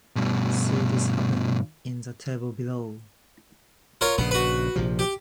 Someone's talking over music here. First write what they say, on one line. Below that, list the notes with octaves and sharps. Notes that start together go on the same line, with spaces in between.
See this happen in the table below.
G2 B2
F4 A#4 C#5
A#1 C#3 B3
F#4 B4
A#1 C3 F3
G4